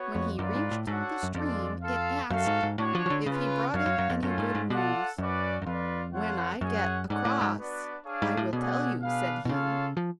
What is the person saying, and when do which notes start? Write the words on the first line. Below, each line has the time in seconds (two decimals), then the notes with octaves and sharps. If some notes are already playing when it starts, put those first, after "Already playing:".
When he reached the stream it asked if he brought it any good news. 'When I get across I will tell you,' said he.
Already playing: B3 F#4 C#5
0.15 F2
0.38 F#2 F4 B4 D5
0.55 G#2
0.71 A2
0.87 G#2 D4 F#4 A4 C#5 F#5
1.23 F#2
1.34 F2 G#3 D4 F4 A4 D5
1.83 F4 A4 F5
2.30 F#2 F#4 A4 F5
2.46 G#2
2.63 G#2
2.78 A2 D4 F#4 C#5
2.95 F3
3.06 F3
3.10 D3
3.26 C#3 C#4 F4 B4
3.74 F#2 F#4 C#5 F5
3.86 F#2
3.98 F#2
4.10 F2
4.23 F#2 A3 C#4 F4
4.38 G#2
4.55 G#2
4.70 B2 F4 A4 D5 F#5
5.18 F#2 C#4 F#4 B4 D5
5.62 F#2
5.66 F2 F4 B4 D5
6.14 F4 A4 C#5 F#5
6.61 F#2 C#4 G#4 C#5 F#5
7.09 G#2 A3 C#4 G#4 D5 F#5
7.25 A2
7.41 G#2
7.57 B3 D4 F#4 B4 D5
8.05 D4 G#4 C#5 F5
8.22 G#2
8.37 A2
8.53 B2 A3 C#4 G#4 D5 F#5
9.01 D4 G#4 B4 F5
9.45 B2
9.49 C#3 F4 A4 C#5 F5
9.97 F3